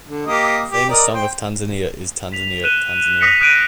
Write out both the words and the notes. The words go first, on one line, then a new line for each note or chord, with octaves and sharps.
A famous song of Tanzania is Tanzania Tanzania.
D3
A#3 G4 D#5
G4
A#4 D5 D#5
C5 G5
B6 F7
F#6 D#7 E7 G7
D#6 A#6 B6 C#7
D#6 F#6 G6 D7 D#7